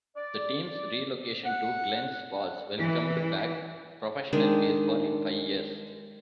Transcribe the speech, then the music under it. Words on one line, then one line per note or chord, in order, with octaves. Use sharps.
The team's relocation to Glens Falls welcomed back professional baseball in five years.
D5
F#5
E3
D#3 G#3 D4